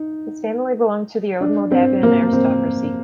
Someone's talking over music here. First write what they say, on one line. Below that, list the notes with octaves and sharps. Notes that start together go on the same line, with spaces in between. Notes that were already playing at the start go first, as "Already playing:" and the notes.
His family belonged to the old Moldavian aristocracy.
Already playing: D#4
D4
C4
A#3
C4